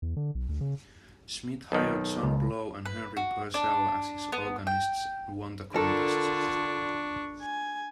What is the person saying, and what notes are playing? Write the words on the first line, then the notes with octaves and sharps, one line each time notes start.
Smith hired John Blow and Henry Purcell as his organists and won the contest.
E2
D3
B1
D2
C#3
B1 D#3
C#2
B4
F#4
D4
B3
G5
D3 D4 F4 A4 A#4 C#6
G#5